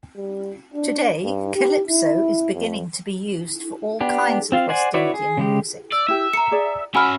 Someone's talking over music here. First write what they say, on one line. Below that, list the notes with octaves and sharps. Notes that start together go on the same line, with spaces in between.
Today, 'calypso' is beginning to be used for all kinds of West Indian music.
G3
D4
G2
G4
E4
F2
B3 D4 G4
C4 F4 F5
C5 D5 F#5 G#5
E4 F#4 B4 C#5 D5
G#4
C#3 G#3 G4
D5 E6
E4 G4 E5
A#4 A#5 C#7
G#4 D5
C#4 F#4 E5 F#5 G#5 B5 F6